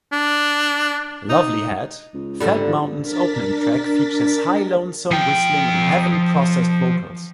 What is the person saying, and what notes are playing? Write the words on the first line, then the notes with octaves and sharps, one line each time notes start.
"Lovely Head", "Felt Mountain"'s opening track, features high lonesome whistling and heavily processed vocals.
D4
D#4
C#2
G#2 D3 G3
F3
D4 A#4 A6 B6
F3 G5